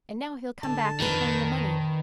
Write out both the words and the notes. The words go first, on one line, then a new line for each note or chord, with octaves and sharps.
And now he'll come back and claim the money.
D3 A5
F2 A#2 D#3 B4